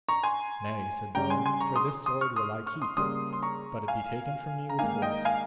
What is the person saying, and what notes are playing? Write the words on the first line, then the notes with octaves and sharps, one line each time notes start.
Nay, said Balin, for this sword will I keep, but it be taken from me with force.
A#5 C#6
G#5 C6
C#3 G3 C#4 G5 A#5
G#5 C6
G#5 C6
A#5 C#6
C6 D#6
C6 D#6
C#6 F6
C6 D#6
C#6 F6
C6 D#6
C#3 G3 A#3 C6 D#6
C6
A#5 C#6
F5 G#5
A#5
G#2 D#3 A#3 D#4 F5 G#5
D#5 G5
F5 G#5